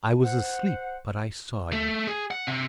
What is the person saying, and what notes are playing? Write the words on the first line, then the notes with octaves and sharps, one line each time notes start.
I was asleep, but I saw you.
C5 F#5
A3
G#4
F#5
C3